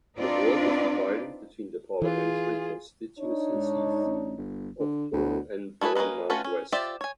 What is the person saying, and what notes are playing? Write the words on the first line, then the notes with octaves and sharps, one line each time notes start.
The ward is divided between the parliamentary constituencies of Poole and Bournemouth West.
C4 D4 D#4 F4 B4 D5
E3 F4 G#4
D4 D#4 C#5
G#2
A1
G1
D3
D2 B2 F#4 B4
A3 E4 F#4 G#4 B4
A#3 C#4 F#4 B4 D#5
A3 C#4 F4 F#4 B4
C#4
F4 G4 C5 D5 E5
C#5 G#5